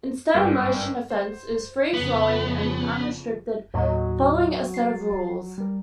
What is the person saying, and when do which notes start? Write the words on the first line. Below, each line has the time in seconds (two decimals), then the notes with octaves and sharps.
Instead, a motion offense is free-flowing and unrestricted, following a set of rules.
0.34 G#1 G2 D4 A#4 G5 G#5
1.10 C5
1.94 F2 C#3 F3 B3
3.74 D#2 A2 F#3 D#5
4.74 A6 C7
5.58 G3 A#4